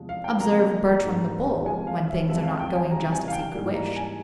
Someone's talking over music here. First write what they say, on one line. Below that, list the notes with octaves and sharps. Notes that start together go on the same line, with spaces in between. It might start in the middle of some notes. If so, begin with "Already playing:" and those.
Observe Bertram the Bull when things are not going just as he could wish.
Already playing: E2 C3 F3 G#3
F5
G5
C3 F3 A#3 A#5
G#2 G3 A#3
C3 F3 G#3 G#5
F5
E5
F2 C3 F3 G#3 E5
F5
G5
G#5
C3 E3 G3 A#5
G#5
F5
G5
G#2 E3 G3 A#3
A#5
G#5